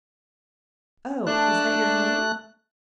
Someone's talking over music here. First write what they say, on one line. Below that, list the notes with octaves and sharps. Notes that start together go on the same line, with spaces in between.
"Oh; is that your home?"
A3 D4 F#6